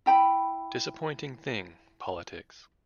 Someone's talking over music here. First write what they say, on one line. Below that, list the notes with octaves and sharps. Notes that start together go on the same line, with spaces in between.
Disappointing thing, politics.
E4 G5 A#5 B5